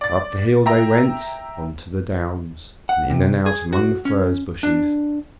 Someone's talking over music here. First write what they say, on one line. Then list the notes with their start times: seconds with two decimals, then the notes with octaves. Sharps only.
Up the hill they went on to the downs, and in and out among the furze bushes.
0.01 D5 A6
0.66 E5 G5 A#5 A#6
2.89 F#5
3.10 C3
3.46 G#4
3.73 F#4
4.05 C#4
4.63 D4